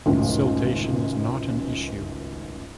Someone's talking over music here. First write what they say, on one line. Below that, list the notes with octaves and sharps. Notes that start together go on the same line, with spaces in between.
Siltation is not an issue.
G#1 C#2 F#2 A2